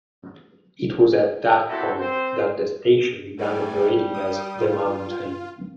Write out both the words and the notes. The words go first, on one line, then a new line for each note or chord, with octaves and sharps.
It was at that point that the station began operating as The Mountain.
C4 E4 F#4 G4 A4
C4 C5
G3 A3 D5 G#5
D#6
F4